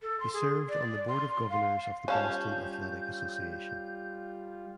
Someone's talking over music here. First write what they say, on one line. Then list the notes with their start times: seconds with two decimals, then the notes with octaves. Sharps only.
He served on the Board of Governors of the Boston Athletic Association.
0.02 A4
0.20 C6
0.34 G#4
0.69 D5
1.08 C6
1.50 F5
2.08 G3 C#4 F4 B4 F5 A5 G6